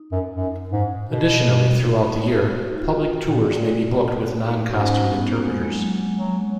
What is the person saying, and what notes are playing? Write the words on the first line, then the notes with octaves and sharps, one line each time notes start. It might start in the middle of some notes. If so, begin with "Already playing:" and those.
Additionally, throughout the year, public tours may be booked with non-costumed interpreters.
Already playing: D#4
F#2
F#2
G#2
B2
D#4
D#4
F#4
F4
F#4
A#2
F#4
D#4
G#2 C#4
B3
A#3
G#3
G#3
F#3
G#3
F#3